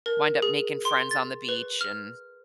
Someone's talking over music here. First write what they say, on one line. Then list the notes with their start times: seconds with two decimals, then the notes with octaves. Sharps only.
wind up making friends on the beach, and
0.06 A#4
0.42 G#4
0.85 C6
1.11 A6
1.49 B4
1.81 F6